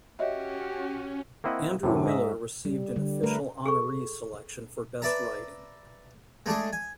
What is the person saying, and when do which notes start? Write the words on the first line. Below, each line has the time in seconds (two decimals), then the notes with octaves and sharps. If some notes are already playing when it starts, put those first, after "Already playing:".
Andrew Miller received an Official Honoree Selection for Best Writing.
0.19 C#4 F#4 G4 C#5 D#5 E5
1.44 A#3 C4 E4 D#5 F#5
1.83 F#2 A2 C3
2.06 G#2 D#5 E5
2.65 G3
2.96 D3 G3
3.23 A3 A#4 B4
3.66 G#4 A4 C#6
5.02 B4 D5 E5 A5 A#5
6.46 G#3 A3 D4 G#4
6.73 G#5